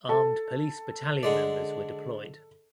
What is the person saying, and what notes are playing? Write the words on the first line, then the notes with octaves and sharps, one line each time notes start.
Armed Police Battalion members were deployed.
A4 A5
D3 G#3 D5